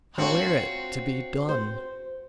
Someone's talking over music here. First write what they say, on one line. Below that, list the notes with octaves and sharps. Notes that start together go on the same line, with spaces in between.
How air it to be done?
C4 D4 F4 F#4 C#5
C5